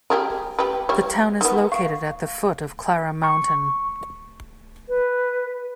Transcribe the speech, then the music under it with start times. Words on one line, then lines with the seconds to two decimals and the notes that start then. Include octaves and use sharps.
The town is located at the foot of Clara Mountain.
0.10 G4 G#4 A#4
0.59 G4 B4
0.89 G3 C#5
1.41 D#3 B3
1.72 F5 C#6
3.24 C#6
4.89 B4